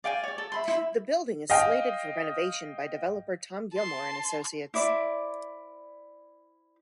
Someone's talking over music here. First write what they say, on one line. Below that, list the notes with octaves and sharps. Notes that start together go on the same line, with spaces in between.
The building is slated for renovation by developer Tom Gilmore and Associates.
D5 F5 G5 G#5
C#5 D5
A4
E5 B5 C6
E4
D#5 F5 G5
A5 C6
E4 C5 D5 D6